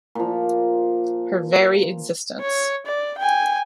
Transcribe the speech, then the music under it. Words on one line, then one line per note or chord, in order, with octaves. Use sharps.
Her very existence.
A#2 F3
C#5
D5
G5 G#5